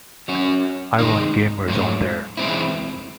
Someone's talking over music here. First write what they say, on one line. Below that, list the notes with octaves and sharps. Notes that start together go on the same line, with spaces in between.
I want gamers on there.
F#3 C#4 F#4
C3 D#3 G#3 D#4
G#2 F#3 A3
C3 E3 G#3 C4 E4